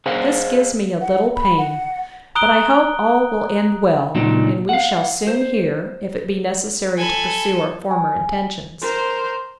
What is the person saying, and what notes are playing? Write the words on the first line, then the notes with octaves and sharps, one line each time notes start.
This gives me a little pain; but I hope all will end well, and we shall soon hear, if it be necessary to pursue our former intentions.
G#4 C5 F5 F#5
F#5
B5
F#5
A#5 D#6 F#6 D7 G7
C#2 A#2 F#3 D4 D#4
F5 F#5
C5
A4 G#5 B5
G#5
A#4 C5